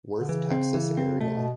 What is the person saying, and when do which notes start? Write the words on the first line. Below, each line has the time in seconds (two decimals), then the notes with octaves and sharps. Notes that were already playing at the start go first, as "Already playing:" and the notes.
Worth, Texas area.
0.20 D3
0.29 C#3 E3
0.51 C4
0.74 E3
0.97 C4
1.20 B2 A3
1.28 C3
1.36 B2